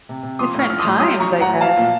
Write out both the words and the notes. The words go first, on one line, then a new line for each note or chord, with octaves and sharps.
Different times, I guess.
C3
C3
F3 C6 D#6
A2 C#6 F6
F3 F6
C6 D#6
A2
F#3 C6 D#6
F#3 A#5 C#6
F#3
F#5 A#5
A2
F3 F5 A5
A#2